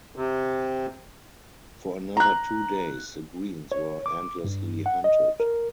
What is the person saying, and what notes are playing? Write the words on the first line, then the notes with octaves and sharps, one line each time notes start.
For another two days the greens were endlessly hunted.
C3
A#5 F#6
C#5
D6
G2
F#5
D#5
A#4